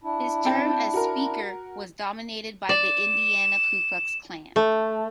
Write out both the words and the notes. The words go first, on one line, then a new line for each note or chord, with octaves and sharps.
His term as Speaker was dominated by the Indiana Ku Klux Klan.
D4 E4
C4 G5 A5
F#4 A#4
D5 E7
A3